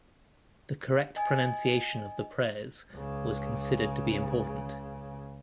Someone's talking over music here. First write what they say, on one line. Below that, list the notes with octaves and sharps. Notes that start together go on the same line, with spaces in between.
The correct pronunciation of the prayers was considered to be important.
D#5 G#5
C#2 C#3